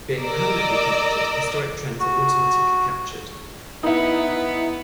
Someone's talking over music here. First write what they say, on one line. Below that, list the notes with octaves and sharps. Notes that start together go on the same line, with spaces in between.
Being permanently connected, historic trends are automatically captured.
A#4 D5 D#5 A#5 D6 E6
F#4
B3 D#4 E4